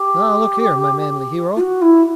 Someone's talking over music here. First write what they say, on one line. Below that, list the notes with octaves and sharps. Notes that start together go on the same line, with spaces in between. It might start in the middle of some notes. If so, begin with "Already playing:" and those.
Now, look here, my manly hero.
Already playing: G4
F4
F#4
E4